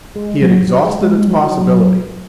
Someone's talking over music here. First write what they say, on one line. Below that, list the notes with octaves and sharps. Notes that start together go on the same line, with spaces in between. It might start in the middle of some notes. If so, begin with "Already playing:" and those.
He had exhausted its possibilities.
G#3
F#3
F#3
G#3
G#3
G#3
F#3
E3
F#3